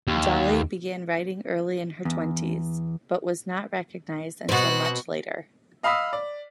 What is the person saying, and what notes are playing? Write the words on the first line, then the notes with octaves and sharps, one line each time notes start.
Jolley began writing early in her twenties, but was not recognised until much later.
D#2
E2
B2 C4 F#4 F#5
D#5 F5 B5 D#6 E6 B6
D5